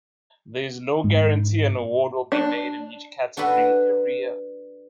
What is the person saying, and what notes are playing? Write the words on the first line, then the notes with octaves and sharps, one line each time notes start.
There is no guarantee an award will be made in each category every year.
G#2
D4
D4 F#4 A4 B4